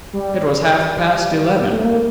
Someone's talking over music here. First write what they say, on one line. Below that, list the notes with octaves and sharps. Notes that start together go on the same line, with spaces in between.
It was half-past eleven.
G3
A3
A#3